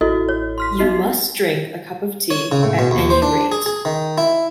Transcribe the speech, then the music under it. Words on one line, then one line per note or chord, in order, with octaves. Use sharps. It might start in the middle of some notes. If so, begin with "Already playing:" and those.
You must drink a cup of tea at any rate.
A1 E4 F#4 A4 D#5
C#5
C6 F6 B6
B3 D#4 F#4 D#5 C7
C#5
C#3
A2
B2
D#2
C5
D4
G#4
G#4
D#3
E4